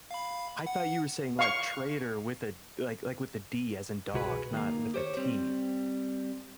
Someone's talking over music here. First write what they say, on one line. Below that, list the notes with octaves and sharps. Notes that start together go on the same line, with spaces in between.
I thought you were saying, like, trader with a, like like, with a D as in dog, not with a T.
F5 B5
F#5
F5 C#6
C2 B2 F#4 G#4 B4
D#3 A#3
G4 C5 C#5
G3 C4